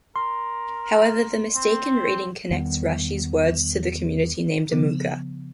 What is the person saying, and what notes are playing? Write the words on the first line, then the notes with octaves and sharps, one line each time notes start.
However, the mistaken reading connects Rashi's words to the community named Amuka.
A#4 C6
C4
E2 D#3 G3 B3
C#3 F3 B3